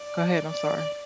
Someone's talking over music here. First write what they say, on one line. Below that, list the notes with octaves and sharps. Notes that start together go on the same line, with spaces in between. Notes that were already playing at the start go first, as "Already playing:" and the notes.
go ahead, I'm sorry.
Already playing: D5
D5